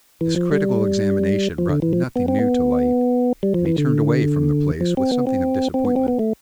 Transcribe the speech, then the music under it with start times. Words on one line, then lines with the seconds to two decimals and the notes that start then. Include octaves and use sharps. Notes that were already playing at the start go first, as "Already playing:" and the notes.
This critical examination brought nothing new to light, and he turned away from the place with something of disappointment.
0.21 E3
0.36 F3
0.52 G3
1.58 F3
1.70 D3
1.82 E3
1.93 F3
2.16 B3
2.28 C4
2.39 B3
3.43 G3
3.54 F3
3.66 E3
3.78 D3
4.81 F3
4.97 C4
5.12 B3
5.27 C4
5.74 C4
5.85 B3
5.96 C4
6.08 B3
6.19 A3